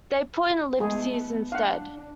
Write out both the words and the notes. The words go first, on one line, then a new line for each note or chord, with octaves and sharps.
They put in ellipses instead.
G#3 A3 B3 G#4
D4 F5 F#5